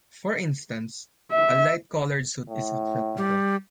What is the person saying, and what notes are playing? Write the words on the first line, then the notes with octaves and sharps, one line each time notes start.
For instance, a light colored suit is acceptable.
E5
A2
G3